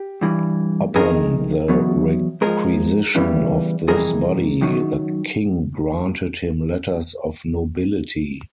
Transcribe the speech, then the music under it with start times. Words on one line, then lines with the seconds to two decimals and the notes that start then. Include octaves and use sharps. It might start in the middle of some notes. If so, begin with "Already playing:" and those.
Upon the requisition of this body the king granted him letters of nobility.
Already playing: G4
0.21 G2 E3 G3
0.95 F2 C3 D#3 G#4 A#4
1.68 E2 B2 F#3
2.41 G#2 F3 G#4 A#4
3.15 E2 C#3 E3 G3
3.88 F2 C3 E3 G3 G#4 A#4
4.61 F#2 D#3 F#3